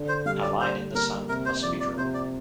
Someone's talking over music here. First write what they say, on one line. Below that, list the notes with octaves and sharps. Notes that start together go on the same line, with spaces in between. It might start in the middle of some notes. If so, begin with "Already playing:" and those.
A line in the sand must be drawn.
Already playing: D3 D4
C5
G3 F5
D5
D3 C5
A#3 A#4
C3 A#4
C5
F3 D5
D5
C3 C5
D5